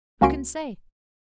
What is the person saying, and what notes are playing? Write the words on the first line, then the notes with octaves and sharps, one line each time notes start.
Who can say?
C#2 A#3 C#4 F#4 C6 D7